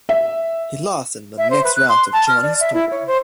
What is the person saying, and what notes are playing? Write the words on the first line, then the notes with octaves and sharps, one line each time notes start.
He lost in the next round to Jonny Storm.
E5
E5
C5
B4
F#6
C6
A5
F6
D5
E5
E4
C#5
C5